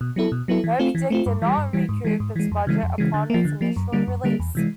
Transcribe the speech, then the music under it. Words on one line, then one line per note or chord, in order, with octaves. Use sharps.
"Moby Dick" did not recoup its budget upon its initial release.
B2
F#3 B3 E4 A4
B2
F#3 B3 E4 A4
E3
A3 C4 F4
E3
A3 C4 F4
G2
E3 G3
G2
E3 G3
G#2
E3 G#3
G#2
E3 G#3
F2
C#3 E3 G#3
F2
C#3 E3 G#3
D3
F3 A#3
D3
F3 A#3
F#2
D3 G3 A#3
F#2
D3 G3 A#3
E2
C3 E3 G#3